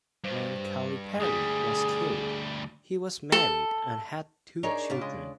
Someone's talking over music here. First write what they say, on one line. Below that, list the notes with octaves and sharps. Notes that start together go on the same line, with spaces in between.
When Calipari was killed, he was married and had two children.
G2 C5
D2 G3 G#4 D#6
A4
D4 D#4 G#4 A#4 C#5
C#3 D4 F4
G#3